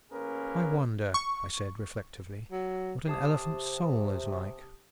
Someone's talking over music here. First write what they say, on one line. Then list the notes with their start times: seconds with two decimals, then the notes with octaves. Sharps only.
"I wonder," I said reflectively, "what an elephant's soul is like!"
0.11 A1 A#3 C#4 G#4 A#4 B4
1.14 C#6
2.51 F#3
3.07 C3 G4 A5 D#6